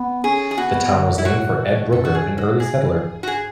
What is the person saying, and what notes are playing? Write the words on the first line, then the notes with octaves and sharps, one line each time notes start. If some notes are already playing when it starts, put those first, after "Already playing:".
The town was named for Ed Brooker, an early settler.
Already playing: B3
C#4 G#4
G#4
B3 F#4
B3
D3
B2
E4
A2 F#4
B2
F#2 A4
F#4
G#4
G#2
F#4
G#4
F#4
G#4